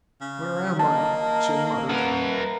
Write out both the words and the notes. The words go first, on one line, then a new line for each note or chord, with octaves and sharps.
"Where am I?" Jim muttered.
C#3
A#3 D#5 A5
A#4 B4 F#5